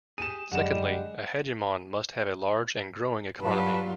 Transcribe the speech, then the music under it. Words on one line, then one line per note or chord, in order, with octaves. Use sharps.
Secondly, a hegemon must have a large and growing economy.
G4 G#4 D#7 E7
F#2 D3 G3 G#3 F#5 E7
G2 F#3 F4 B4 A5 B5